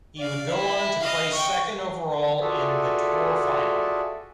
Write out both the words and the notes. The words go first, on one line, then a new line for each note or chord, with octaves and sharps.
He would go on to place second overall in the Tour Final.
D5 F5
E4
D#5 F5
G5 C#6
F4 F#4 G#4 A4 D5 E5